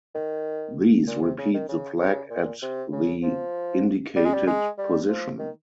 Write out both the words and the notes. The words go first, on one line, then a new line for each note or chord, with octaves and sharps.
These repeat the flag at the indicated position.
D#3
A#2
C3
C#3
D#3
C#3
C#3
A#2
C3
C#3
F3
G3
G#3
G3
G#3
G3
F3
D#3